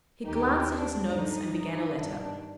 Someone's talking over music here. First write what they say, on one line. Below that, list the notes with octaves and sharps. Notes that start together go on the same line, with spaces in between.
He glanced at his notes and began a letter.
D#2 D#3 D#4 G4
D4
G2 D3 D#4
D#4
G2 D#3 D4